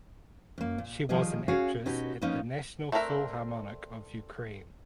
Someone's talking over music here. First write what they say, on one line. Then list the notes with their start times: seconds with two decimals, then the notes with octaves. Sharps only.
She was an actress at the National Philharmonic of Ukraine.
0.58 F#2 A#3
0.78 A#2
1.09 D#3 F3 G3 G#4 D#5
1.48 C#4 F#4 G#4 C#5 F5
1.86 B2 C#4 D#4 F#4 G4
2.22 F3 A#3 B3 C#4 D#4
2.92 A3 C4 D4 A#4 E5